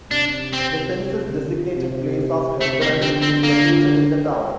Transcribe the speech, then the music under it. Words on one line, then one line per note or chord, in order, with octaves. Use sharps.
The census-designated place of Hebron is located in the town.
C3 D4
C4
C3
C3 A3
A#3
D3 C4
C4
D3 A#3